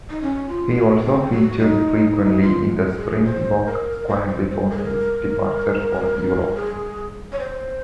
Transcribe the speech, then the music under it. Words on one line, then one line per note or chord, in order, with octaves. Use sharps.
He also featured frequently in the Springbok squad before his departure for Europe.
D#4
C#4
F4
F#4
C4
F#4
D#4
F4
G#4
C5
A#4
C5
C5
C5
A#4
G#4
A#4
G#4
C#5
C5